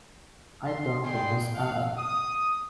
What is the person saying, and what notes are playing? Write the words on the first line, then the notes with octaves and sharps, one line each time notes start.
I turned to Miss Allen.
C6
G3 G#4 G5 C6
F5 F#5
D#6